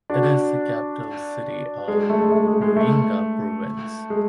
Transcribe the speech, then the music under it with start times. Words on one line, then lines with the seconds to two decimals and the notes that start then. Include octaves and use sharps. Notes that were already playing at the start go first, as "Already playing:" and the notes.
It is the capital city of Muyinga Province.
0.10 D4 F#4
1.88 G#3
2.10 A3
2.22 G#3
2.32 A3
2.47 G#3
2.62 G#3
2.76 A3
4.10 G#3